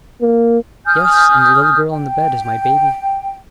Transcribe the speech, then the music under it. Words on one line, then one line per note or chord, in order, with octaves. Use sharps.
"Yes, and the little girl in the bed is my baby."
A#3
G#5 D#6 F6 G6
G5